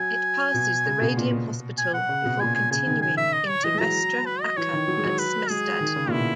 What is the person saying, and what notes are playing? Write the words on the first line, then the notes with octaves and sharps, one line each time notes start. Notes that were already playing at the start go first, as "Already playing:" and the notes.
It passes the Radium Hospital before continuing into Vestre Aker at Smestad.
Already playing: F#3 G#5
B2
C#3
B2
A#2
B2
G#5
F#5
C#3
B2
A#2 G#5
G#5
C#3 G#5
D#3
G#5
E5
D#5
C#5
E3 D#5
G#3
F#3 A#5
B4
D#5
E3 C#5
D#3
F#3
G#3
F#3
B4
G#3 G#4
D#3
C#3
A#2
B2 E4